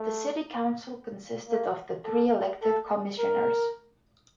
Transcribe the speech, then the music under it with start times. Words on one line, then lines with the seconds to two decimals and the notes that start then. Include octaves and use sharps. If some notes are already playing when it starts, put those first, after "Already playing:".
The City Council consisted of the three elected Commissioners.
Already playing: A3
1.48 A#3
2.05 A4
2.62 A4
3.19 A#4